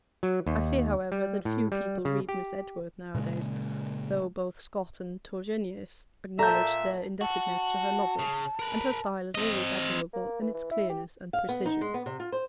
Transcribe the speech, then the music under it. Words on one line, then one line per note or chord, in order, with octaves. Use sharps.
I fear, however, that few people read Miss Edgeworth nowadays, though both Scott and Tourgenieff acknowledged their indebtedness to her novels, and her style is always admirable in its clearness and precision.
F#3
D#2
G3
A2
G3
C#3
G4
A#2 C#3 G#3
A#2 A4 E5 A5 A#5 G6
F#4 A5
C#3
A#4 B4
C4 D#5
A#3
E3
E3
E4
G4
F5
B3
D#4
G#3
B3
C3
F4
C5